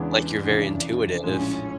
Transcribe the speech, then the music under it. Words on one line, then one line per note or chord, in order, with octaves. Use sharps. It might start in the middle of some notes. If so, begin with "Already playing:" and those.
like you're very intuitive
Already playing: E2 C#3 E3 G#3 B3 D4
F1 E2 C#3 E3
A#1 A2 F3 G#3 C#4